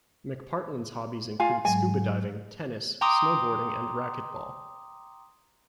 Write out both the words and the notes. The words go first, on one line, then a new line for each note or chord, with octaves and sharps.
McPartlin's hobbies include scuba diving, tennis, snowboarding and racquetball.
F4 F5 G#5
G#2 F#3 G#3 G#5
G5 A#5 C6 D6 D#6